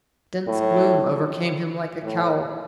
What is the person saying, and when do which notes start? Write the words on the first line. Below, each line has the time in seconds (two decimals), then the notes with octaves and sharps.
Dense gloom overcame him like a cowl.
0.48 A2
2.03 A2